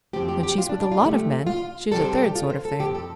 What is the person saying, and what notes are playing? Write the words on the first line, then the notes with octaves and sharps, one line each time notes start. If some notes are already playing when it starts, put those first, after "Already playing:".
When she is with a lot of men, she is a third sort of thing.
F2 F3 C4 G4
G4
G4
F4
D4
D4
F4
D2 C3 F3 A3 G4
F4
C3 G3 C4 A4
C5
A4
G4
F4
C5
A4
F2 F3 C4 G4
A4